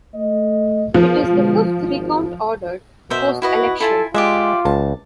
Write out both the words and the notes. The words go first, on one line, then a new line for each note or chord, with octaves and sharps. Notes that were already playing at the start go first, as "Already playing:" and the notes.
It is the fifth recount ordered, post-election.
A3 D#5
F3 B3 G#4 A#4
B2 D3 G#3
G#1
B2 A#4 C5 E5
E4 F#4 B4 D#5
E4 F4 A4 G#5
G#3 F4 G4 D5 E5
C#2 A5